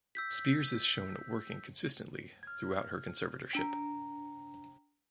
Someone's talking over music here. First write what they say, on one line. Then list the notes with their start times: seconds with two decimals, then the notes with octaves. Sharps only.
Spears is shown working consistently throughout her conservatorship.
0.15 E6 G6 B6
2.43 F6 G#6
3.53 D4 G5 A#5 D7